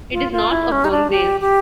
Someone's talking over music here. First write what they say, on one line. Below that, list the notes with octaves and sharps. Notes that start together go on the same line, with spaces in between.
It is north of Gonzales.
F4
F4
E4
C#4
D#4
D4
G4
G4